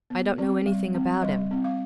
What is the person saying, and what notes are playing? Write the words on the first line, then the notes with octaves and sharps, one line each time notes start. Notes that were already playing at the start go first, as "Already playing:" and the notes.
"I don't know anything about him."
B3
C4 D5
G3
C4
G3 D#5
C4
F5